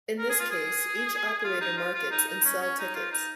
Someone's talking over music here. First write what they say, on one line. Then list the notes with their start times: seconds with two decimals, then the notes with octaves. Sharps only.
In this case each operator markets and sell tickets.
0.19 A#4
0.29 G#4
0.40 F4
0.50 G#4
1.39 G#4
1.44 F4
1.61 D#4
1.77 F4
1.94 F4
2.11 D#4
2.28 D#4
2.45 C#4
2.61 C#4
2.79 D#4
2.95 F4
3.11 D#4